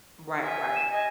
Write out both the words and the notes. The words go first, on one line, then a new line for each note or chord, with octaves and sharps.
Right, right.
G4 E5 G#5
E7
D#5 G#5